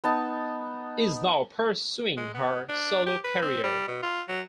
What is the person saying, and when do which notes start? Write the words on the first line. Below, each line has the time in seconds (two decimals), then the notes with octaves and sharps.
Is now pursuing her solo career.
0.04 B3 D#4 A5
2.17 G#3
2.34 B3
2.69 D4
3.06 G4
3.24 B4
3.42 C4
3.63 G3
3.88 B2
4.03 F4
4.28 F#3